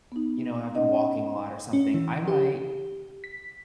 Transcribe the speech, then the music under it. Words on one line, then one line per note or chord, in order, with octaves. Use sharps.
you know, I've been walking a lot or something, I might,
B3 D#4
C#4 D#4 D#5 F#5
C#4
E3
G4
B6